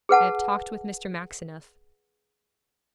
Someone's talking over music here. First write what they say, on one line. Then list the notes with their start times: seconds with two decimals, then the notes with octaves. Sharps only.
I have talked with Mr. Maxineff.
0.09 G#4 B4 F#5 A5